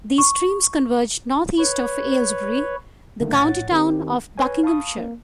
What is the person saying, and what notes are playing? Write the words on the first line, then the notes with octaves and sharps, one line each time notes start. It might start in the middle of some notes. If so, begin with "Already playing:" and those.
These streams converge north-east of Aylesbury, the county town of Buckinghamshire.
C#6
B4 C#5
D3 D#3 G3 A3 A#3
A#1 A2 C#5 F#5 A6
D#3 C4 D#4 G4
B4 C#5 G#5
F5 A5 B5 C#6 D#6
A#3